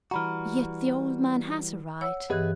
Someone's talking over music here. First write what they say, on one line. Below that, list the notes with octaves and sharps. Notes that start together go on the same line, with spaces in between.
Yet the old man has a right.
E3 G3 F#4 A#5 B5 F6
C#5 F#5 E6
G2 E3 B3 G4 G#4 D#5 F#6